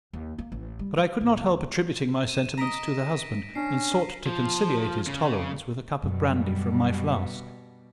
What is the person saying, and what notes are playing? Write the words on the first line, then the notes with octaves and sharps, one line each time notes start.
But I could not help attributing my sentiments to the husband, and sought to conciliate his tolerance with a cup of brandy from my flask.
D#2
A#3
A1
G3
F#3
A1
D2
D#7 E7
D#5 A#5 A#6 B6 D7
C#4 D4 C7
F3
C#3
F#2 B2 G3